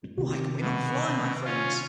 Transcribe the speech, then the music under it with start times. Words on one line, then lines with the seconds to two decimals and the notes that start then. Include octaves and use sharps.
Why can we not fly, my friends?
0.18 C3 D#3 G4
0.60 B2
1.45 C#4 F4